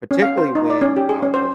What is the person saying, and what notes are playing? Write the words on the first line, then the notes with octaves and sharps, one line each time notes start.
particularly when I was
C#4
F5
C5
D#4
D5
C#4
G4
G#4
C#4
C5